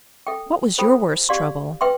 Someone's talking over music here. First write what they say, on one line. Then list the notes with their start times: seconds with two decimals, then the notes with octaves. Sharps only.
"What was your worst trouble?"
0.27 A4 E5 G5
0.78 F4 A4 C5 G5 B5
1.29 G4 D5 F5 C6
1.81 B4 E5 G5 C6